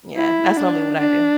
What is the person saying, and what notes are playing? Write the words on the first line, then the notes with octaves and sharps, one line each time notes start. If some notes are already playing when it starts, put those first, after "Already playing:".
Yeah. That's normally what I do.
E4
D4
D4